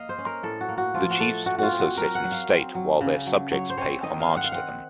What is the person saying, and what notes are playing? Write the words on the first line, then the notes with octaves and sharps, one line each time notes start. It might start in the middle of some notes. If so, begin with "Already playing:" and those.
The chiefs also sit in state while their subjects pay homage to them.
Already playing: A#3 D#5 F5
C5
C#4
A#4
A2 A4
F#4
A#3
F#4
F3 F4
F#4
A3 A4
A3 F#4
F4 F#4
C4
F#4
F#3 A#4
F#5
F#3
F5
C4
F#3
C#3
F#3
F#3 C#5
C5
C4 C#5
D#3 D#5
F5
C4
F#5
F5
C4 F#5